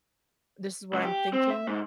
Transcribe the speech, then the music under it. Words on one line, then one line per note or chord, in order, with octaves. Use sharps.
"This is what I'm thinking."
C#2
G4
C4
E5
G#2